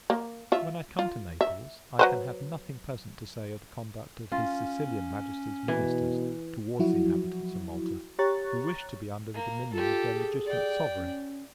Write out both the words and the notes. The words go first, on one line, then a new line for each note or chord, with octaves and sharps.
When I come to Naples, I can have nothing pleasant to say of the conduct of his Sicilian Majesty's ministers towards the inhabitants of Malta, who wish to be under the dominion of their legitimate Sovereign.
A#3
F4 E5
F4
E5
F#3 B4 C5
C#4 F4
B2 E3
F3 F#3 E4 F#4
G4 C#5 A#5 C#6 F#6 A6
A#3
F4 G4 A4
G#4
D5 G5
C#4